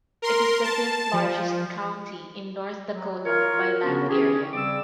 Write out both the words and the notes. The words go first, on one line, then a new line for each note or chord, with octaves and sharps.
It is the fifth-largest county in North Dakota by land area.
A#4 C6
A5
F3
F#3
F4 A#4 C#5
C#3 B3 C#4 D4 F#4 A#4
C#4 G4 G#4
C#3 G3 C4 D5 D6 E6